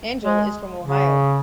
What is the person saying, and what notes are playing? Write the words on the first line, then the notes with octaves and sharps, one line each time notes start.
Engel is from Ohio.
G#3
C#3